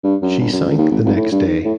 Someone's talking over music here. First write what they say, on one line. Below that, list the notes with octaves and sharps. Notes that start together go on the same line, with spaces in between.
She sank the next day.
G2
F#2
G1
F#2
C#2
D#2
G#1
F1
A2
G2
D#3
A2